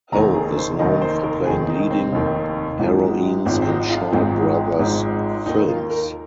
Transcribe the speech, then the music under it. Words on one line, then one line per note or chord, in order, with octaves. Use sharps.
Ho is known for playing leading heroines in Shaw Brothers films.
F1 D#2 D#3 A#5
G#4
C5
F1 D#2 D#3 D#5
C5
A#4
F1 D#2 D#3 G#4
D#4
C4
F1 D#2 D#3
G#1 G#2 F3
G#1 G#2 F3 C4
C4
D#4
F4
G#1 G#2 F3 C4
G#1 G#2 F3
D#2 D#3 D#4
F4
A#4